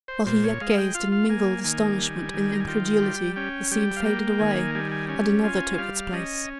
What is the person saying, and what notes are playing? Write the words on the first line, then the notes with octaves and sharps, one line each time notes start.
While he yet gazed in mingled astonishment and incredulity, the scene faded away, and another took its place.
C5
A#2 C5
C#5
G#3 F5
G5
F4 F5
F5
A#3 G#5
D#3 G#5
G3
D#3
A#5
G#5
F4 G5
G3
C#4 G5
G3 G5
F5
A#3 G5
D#3 G#5
G3 G#5
G#5
C#4 G#5
F4 G#5
G3 F5
C#4 D#5